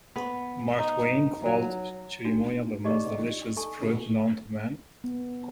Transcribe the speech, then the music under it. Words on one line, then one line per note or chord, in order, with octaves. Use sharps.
Mark Twain called the cherimoya "the most delicious fruit known to men".
B3
D#4
F#3
D4 D#4 F#4
D#4 G4 G#4 D5 D#5 C#6
A4 G#5 A5 C#6
B3